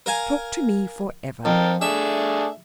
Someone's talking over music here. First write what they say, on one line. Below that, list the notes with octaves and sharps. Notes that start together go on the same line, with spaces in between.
Talk to me for ever.
A#4 F5 G#5
F2 A#4 G5 A5
A3 D4 G#4 E5